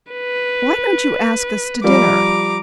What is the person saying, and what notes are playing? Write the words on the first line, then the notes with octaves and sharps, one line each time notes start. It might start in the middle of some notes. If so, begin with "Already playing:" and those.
Why don't you ask us to dinner?
B4
F3 G3 A#5 D6